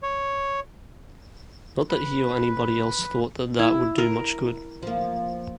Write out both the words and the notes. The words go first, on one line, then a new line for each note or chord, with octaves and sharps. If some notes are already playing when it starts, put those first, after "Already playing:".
Not that he or anybody else thought that that would do much good.
C#5
B4
E4
A#4
F3 A#3